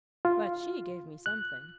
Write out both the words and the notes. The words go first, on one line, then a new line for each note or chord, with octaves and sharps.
But she gave me something.'
F4
F#6